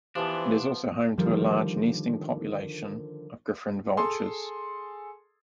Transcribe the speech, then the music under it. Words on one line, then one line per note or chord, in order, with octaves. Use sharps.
It is also home to a large nesting population of Griffon vultures.
E3 F3 B3 D4 G4 C5
D3 D#3 F3 G3
G#4 A4 C6